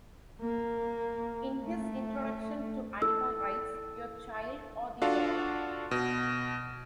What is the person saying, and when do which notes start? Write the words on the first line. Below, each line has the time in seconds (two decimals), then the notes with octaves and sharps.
In his Introduction to Animal Rights: Your Child or the Dog?
0.41 A#3
1.64 A3
3.02 E4 A4 E6
5.02 D4 F4 F#4 A4 F5
5.91 B2